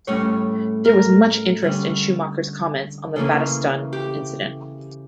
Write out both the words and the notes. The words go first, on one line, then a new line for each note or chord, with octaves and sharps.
There was much interest in Schumacher's comments on the Battiston incident.
A2 G3 C#4 C#5
A#4
D3 G3 C#4
C#3 E3 A#3 C#4 A4
G4